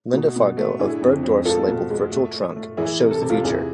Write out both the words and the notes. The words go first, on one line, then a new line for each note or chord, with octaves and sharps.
Linda Fargo of Bergdorf's labeled virtual trunk shows the future.
B2
B2
A3
D3 E4 G#4
F2
F2
G#3 F4 A4
B2
G#3
A3
A3
A3
E3 E4 G#4
C3
A4
C3
F4 A4
E2 E4 G#4